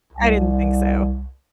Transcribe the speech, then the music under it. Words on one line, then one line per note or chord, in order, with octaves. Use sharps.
I didn't think so.
C2